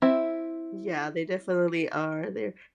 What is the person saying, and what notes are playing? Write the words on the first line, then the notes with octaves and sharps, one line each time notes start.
Yeah, they definitely are, they're
C4 E4 E5